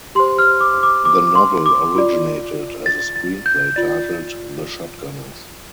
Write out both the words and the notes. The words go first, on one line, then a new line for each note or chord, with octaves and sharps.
The novel originated as a screenplay titled "The Shotgunners".
G4 C5 C6
F6
D6
D6
D6
D6
C6
D6
F4 D5
A6
A6
G6
F4 D5 A6